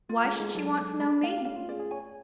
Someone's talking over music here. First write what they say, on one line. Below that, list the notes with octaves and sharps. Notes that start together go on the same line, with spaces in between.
"Why should she want to know me?"
A3 F4
G#3
A4
G#3
F#3 A4
A4
G#3 B5
A3 F5
C#4 F5
F4
G#4 D5
G#4
C#5 G#5